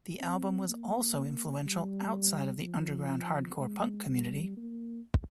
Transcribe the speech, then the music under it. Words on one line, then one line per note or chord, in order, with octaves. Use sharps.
The album was also influential outside of the underground hardcore punk community.
C4
A#3
G3
F3
G#3
G3
A#3